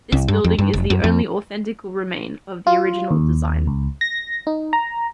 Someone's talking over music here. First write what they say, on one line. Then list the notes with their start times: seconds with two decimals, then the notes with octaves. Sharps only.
This building is the only authentical remain of the original design.
0.12 C2
0.28 G2
0.44 F2
0.58 G2
0.74 F1
0.90 F#2
1.04 F2
2.67 F4
3.11 D#2
3.67 C#2
4.01 A#6
4.47 D#4
4.73 A#5